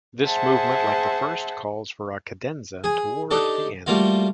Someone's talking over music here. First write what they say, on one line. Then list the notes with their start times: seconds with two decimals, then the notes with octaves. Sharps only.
This movement, like the first, calls for a cadenza toward the end.
0.24 G#4 C5 E5 F#5 G#5 A5
2.84 G#4 G#5
3.31 D4 D#4 G4 A4
3.86 G3 A3 A#3 F4 F#4 F5